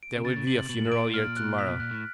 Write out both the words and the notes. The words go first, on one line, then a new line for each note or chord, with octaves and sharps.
"There will be a funeral here to-morrow."
D7
C3
C#3 A6
C#3
C3 F#7
B2 F#7
A#2
A2
A#2 D7
F6
F#6
B6
B2
A#2 F#6
A2